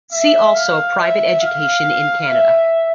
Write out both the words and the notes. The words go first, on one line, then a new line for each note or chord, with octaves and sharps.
See also Private Education in Canada.
E5
F5
E5
F5
E5